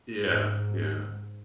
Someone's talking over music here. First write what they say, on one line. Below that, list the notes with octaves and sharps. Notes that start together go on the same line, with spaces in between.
Yeah, yeah.
G#2